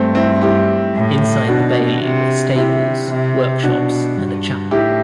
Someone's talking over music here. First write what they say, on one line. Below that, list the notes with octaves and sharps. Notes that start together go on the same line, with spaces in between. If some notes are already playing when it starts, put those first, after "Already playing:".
Inside the bailey were stables, workshops, and a chapel.
Already playing: G2 A3 C4
C4 E4
E4 G4
A2
B2 D4 F#4
C3
C3 E4 G4
C3
B2 D4 F#4
G2
A2 E4 G4